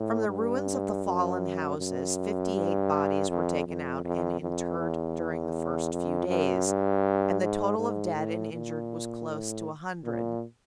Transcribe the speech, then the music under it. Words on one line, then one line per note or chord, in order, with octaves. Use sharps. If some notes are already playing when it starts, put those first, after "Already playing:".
From the ruins of the fallen houses fifty-eight bodies were taken out and interred during the first few days, and the total of dead and injured was close to a hundred.
Already playing: A2
G2
F#2
F#2
G2
F2
F2
F2
F2
E2
F2
F#2
G2
G#2
G#2
A2
A#2
A2
A#2